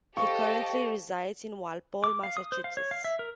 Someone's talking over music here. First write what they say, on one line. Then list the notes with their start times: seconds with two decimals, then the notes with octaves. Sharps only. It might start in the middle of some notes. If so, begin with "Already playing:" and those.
He currently resides in Walpole, Massachusetts.
0.17 G4 A4 C5 D#5 F5 C#6
2.04 D6
2.23 F5
2.37 D#6
2.52 C5
2.64 F5
2.77 C#5
2.91 F5
3.04 E5
3.19 A#4